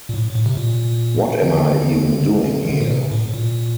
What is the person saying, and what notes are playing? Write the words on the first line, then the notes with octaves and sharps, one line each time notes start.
What am I even doing here?
A#2
A2
A2
C3
A#2
D3
D#3
D3
A#2
C3
A2
A#2